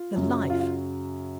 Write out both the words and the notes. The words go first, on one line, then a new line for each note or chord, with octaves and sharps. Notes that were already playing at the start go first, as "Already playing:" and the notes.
The life!
Already playing: F4
F#2 C#3 F#3 C#4
F4
F4